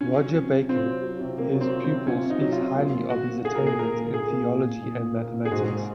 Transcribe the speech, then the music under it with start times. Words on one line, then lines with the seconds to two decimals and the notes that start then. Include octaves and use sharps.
Roger Bacon, his pupil, speaks highly of his attainments in theology and mathematics.
0.01 C#4 F4
0.18 F#3
0.35 C3
0.52 C3
0.69 C4 F4
0.86 F#3
1.03 F#3
1.21 C3
1.38 C3 A#3
1.55 F#3
1.61 C4
1.73 F4
1.84 C4
1.90 C3
2.07 C#4 F4
2.24 C3
2.30 D#4
2.41 F#3
2.52 F4
2.59 C3
2.75 A#3 F4
2.93 A#2
3.10 A#2 F#4
3.27 A#3
3.44 A#2 G#4
3.55 A#4
3.62 A#2 G#4
3.79 A#2 A#4
3.96 A#3
4.13 A#2 G#4
4.31 A#3
4.48 A#2
4.65 A#2
4.82 A#2
5.00 A#2
5.17 A#3
5.34 A#2
5.45 G#4
5.52 G#2 F#4
5.68 G#2